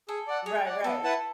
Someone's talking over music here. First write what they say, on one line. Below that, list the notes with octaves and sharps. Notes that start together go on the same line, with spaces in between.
Right, right.
G#4 A4
D5 F#5
G#4 C#5
D5 F#5
B3 A4
E4 B4 F#5 A5